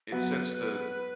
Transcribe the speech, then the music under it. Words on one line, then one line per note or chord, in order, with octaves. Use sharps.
it sets the
F#3 B3 B4